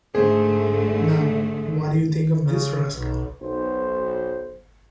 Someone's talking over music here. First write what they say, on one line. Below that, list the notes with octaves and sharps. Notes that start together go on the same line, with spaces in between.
Now, what do you think of this rascal?
G#2 D3 A3 G#4 C5
C#3
B1
B1 C5